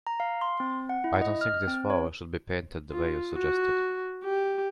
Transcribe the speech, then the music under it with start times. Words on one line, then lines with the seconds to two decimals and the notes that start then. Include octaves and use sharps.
I don't think this wall should be painted the way you suggested.
0.07 A#5
0.20 F5
0.41 C6
0.60 C4
0.89 F#5
1.04 E4
1.21 D#5
1.41 F6
1.68 C4
1.90 C#5
2.91 F4
3.34 F#4
4.24 G4